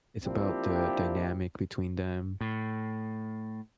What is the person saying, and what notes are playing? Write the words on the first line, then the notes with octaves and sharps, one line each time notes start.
it's about the dynamic between them,
F3 A#3 C4 D4 E4 G4
A2